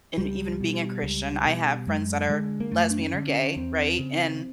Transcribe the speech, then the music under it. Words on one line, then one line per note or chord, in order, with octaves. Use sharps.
and even being a Christian, I have friends that are lesbian or gay, right? And,
C#2 G3
B2
C#2
B2
F#2 G#3
D3 G#3
A#3
F#2 A3
D4
C#4
D3
C#4
E2 C4
C#3